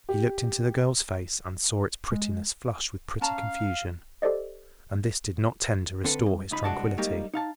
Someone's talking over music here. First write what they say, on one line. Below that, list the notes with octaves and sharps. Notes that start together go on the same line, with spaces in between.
He looked into the girl's face and saw its prettiness flush with pretty confusion, and this did not tend to restore his tranquillity.
G4
G#3
C#4 F5 A5 A#5
G4 A4 C5 D5 D#5
D3 C4 D4 A4 B4
G2
C#2 D#4 B5
C2 G#3 D4 F#4 A5
G3 G#3 A#3 D#4 F#4 G4
D#4 F5 A5